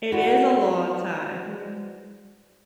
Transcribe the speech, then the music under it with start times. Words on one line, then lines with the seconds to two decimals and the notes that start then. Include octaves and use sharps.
It is a long time, yeah.
0.12 E4 F#4 B4 C5 D5 F#5